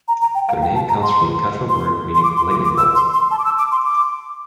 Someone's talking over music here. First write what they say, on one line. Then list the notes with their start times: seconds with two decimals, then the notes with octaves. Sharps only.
Their name comes from the Quechua word meaning "Lightning Bolt".
0.08 A#5
0.21 A#5
0.35 G5
0.48 F5
0.62 G5
0.75 A5
0.89 A#5
1.02 C6
1.69 C6
2.15 C6
2.23 D6
2.37 C6
2.50 D6
2.64 D6
2.77 E6
2.95 C6
3.13 C6
3.31 A5
3.39 D6
3.45 E6
3.58 D6
3.72 C6
3.85 D6